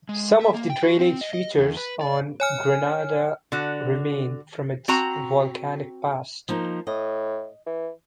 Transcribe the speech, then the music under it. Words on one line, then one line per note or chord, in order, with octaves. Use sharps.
Some of the drainage features on Grenada remain from its volcanic past.
G#3
E5
A#3
G5
F#4
C4
D#5
D#5
E2
B4
D5
C#5 G#5 F6
D3 F#4
C4 F#4 A#5
F3 A#3 D#4
A2 D#5
E3